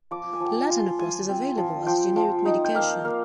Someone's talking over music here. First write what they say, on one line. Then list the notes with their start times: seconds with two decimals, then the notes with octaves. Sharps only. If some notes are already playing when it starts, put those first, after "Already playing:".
Latanoprost is available as a generic medication.
0.11 F3 D6
0.33 G#5
0.40 F3 G5
0.55 G#5
0.70 F4
0.78 C6
0.99 F4 G#5
1.29 C4
1.57 F3
1.87 F3 G5
2.16 F3
2.46 D#4
2.65 G5
2.75 A#3 F5
3.05 A#3 F5